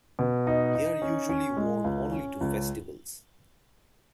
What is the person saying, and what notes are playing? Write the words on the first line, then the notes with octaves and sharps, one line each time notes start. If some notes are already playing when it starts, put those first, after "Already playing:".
They are usually worn only to festivals.
B2
D#4
D#4
C#4
C#4
G#3
C#2
C#4
C#2